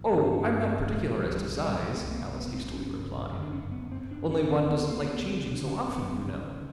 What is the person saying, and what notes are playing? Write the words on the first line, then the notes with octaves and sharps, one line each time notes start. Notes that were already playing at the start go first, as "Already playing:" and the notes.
'Oh, I'm not particular as to size,' Alice hastily replied; 'only one doesn't like changing so often, you know.'
Already playing: A1
G2 B3
C4
C#4
G2 D4
A1 C4
A1 G#3
C2 G3
F#3
G3
C3
G3
C3
C2 A3
B3
A#3
C2
B3
C2
C4
C4
G1 C#4
C#3
F#2
D4
G1 C#4
B3
G1
C4
G1
D4
D3 C#4
C4
D2
B3
D3
A#3
A#3
D2 B3
C4
D3
D4
D3
C#4
G#1 B3
C#3
G#1